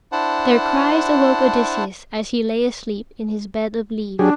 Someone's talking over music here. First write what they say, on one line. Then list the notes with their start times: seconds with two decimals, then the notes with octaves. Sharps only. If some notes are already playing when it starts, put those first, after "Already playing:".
Their cries awoke Odysseus, as he lay asleep in his bed of leaves.
0.12 D4 E4 C5 F#5 A5
4.19 F#3 D4 G4 G#4